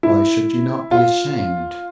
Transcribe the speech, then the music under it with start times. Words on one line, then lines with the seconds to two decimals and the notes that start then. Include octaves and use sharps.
Why should you not be ashamed?
0.03 E4
0.91 F4